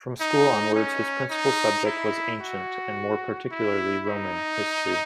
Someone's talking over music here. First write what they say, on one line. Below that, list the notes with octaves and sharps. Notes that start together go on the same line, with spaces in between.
From school onwards his principal subject was ancient and more particularly Roman history.
D#4
C#4
D#4
E4
F#4
E4
D#4